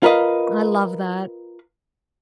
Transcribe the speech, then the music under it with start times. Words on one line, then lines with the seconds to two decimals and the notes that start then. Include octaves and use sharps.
I love that.
0.03 F4 A#4 B4 D#5 F5